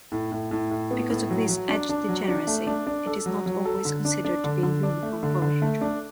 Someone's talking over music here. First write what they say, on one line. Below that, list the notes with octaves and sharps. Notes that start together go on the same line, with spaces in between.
Because of this edge-degeneracy, it is not always considered to be a uniform polyhedron.
A2
A2
A2
A2
B3
A2
F#3
F#3
D4
D4
F#3
D4
A3
D4
D4
A4
F#3
F#3
A4
D3
D4
D4
D3
D3
D4
A3
D3
D3
A3
D4